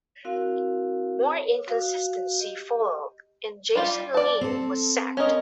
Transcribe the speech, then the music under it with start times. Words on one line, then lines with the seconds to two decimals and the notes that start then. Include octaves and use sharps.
More inconsistency followed, and Jason Lee was sacked.
0.25 C4 E4 F#4 A#4 F5
1.28 C#5
1.67 F#4 F5
2.39 G4 D#5
3.75 G3 F4 G4
4.14 D5 A5
4.41 C4 A4
5.17 C#4 A#4 D#5